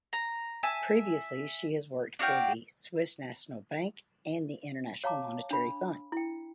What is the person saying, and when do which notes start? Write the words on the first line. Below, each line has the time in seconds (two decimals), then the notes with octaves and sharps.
Previously she has worked for the Swiss National Bank and the International Monetary Fund.
0.13 A#5
0.63 E5 G#5 A5
2.19 D4 F#4 F5 G5
5.04 C#5 F5 A5 A#5 D6
5.51 D4 B5
6.12 E4 G5